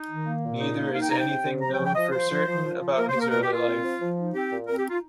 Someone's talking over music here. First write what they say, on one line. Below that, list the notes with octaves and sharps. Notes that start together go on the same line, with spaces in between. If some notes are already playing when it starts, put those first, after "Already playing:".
Neither is anything known for certain about his early life.
Already playing: D#4
D#3
A#3
A#2
D#4
A#3
D#4 F5
G5
C3 A#5
G5
C3
C3
F3 A#5
G5
F3
G5
F3 D#5
F3 C5
F3
F3
F3
F3
A#3 A#4
C5
A#3
A#4
A#2 A#4
G4
A#2 F4
C4
F3
F3
D#4
C4 G4
A#2
C4 A#4
G4
D#4 F4